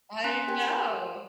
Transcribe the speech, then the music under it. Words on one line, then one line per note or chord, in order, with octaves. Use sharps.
I know!
C#4 G#5 A#5 C6 F#6 B6
G4 A#4 G5 G#5 C6